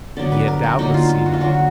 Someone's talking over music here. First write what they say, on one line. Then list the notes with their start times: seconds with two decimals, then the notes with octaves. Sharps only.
He had doubtless seen all.
0.17 D3 F#3 B3 D5
0.32 B4
0.48 A#4
0.63 F#4
0.79 D3 F#3 A#3 D#4
0.94 F4
1.09 F4
1.26 F#4
1.33 F4
1.40 D3 F#3 A#3 F#4
1.54 F#4